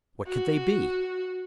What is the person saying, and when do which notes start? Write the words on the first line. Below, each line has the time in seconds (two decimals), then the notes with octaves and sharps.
What could they be?
0.27 F#4